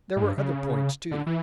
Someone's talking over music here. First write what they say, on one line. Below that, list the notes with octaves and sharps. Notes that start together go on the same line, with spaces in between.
There were other points, too.
A2
G2
C#3
D3
E3